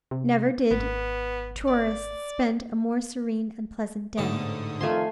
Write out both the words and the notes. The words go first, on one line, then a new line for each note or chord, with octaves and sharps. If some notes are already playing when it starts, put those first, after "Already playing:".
Never did tourists spend a more serene and pleasant day.
C3
G#1 B3
D5
A1 G#2 D3 C#4 A5 D#6
F2 D#3 A3 F4 G#5 C6